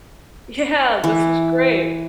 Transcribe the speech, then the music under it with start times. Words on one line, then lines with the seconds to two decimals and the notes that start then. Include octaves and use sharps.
Yeah, this was great
1.04 E3